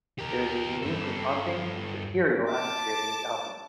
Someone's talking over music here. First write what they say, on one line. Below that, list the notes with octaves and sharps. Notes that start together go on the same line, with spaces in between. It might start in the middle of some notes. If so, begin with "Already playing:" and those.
There is a uniquely haunting, ethereal atmosphere to this album.
G4 A#4
G2 A4
A5 D6